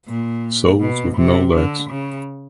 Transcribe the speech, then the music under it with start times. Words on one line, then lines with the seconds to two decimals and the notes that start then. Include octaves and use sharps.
Souls with no legs.
0.08 A#2
0.81 B2
1.17 C3
1.54 D3
1.90 C#3